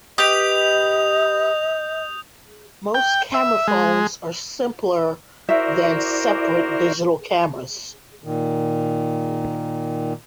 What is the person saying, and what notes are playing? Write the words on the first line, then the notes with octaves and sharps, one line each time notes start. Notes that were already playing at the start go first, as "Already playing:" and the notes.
Most camera phones are simpler than separate digital cameras.
G4 B4 D#5 D#6 G6 F7
G5
E5
G#3
E4 F#4 A#4 C5 D5 E5
A#2 D#3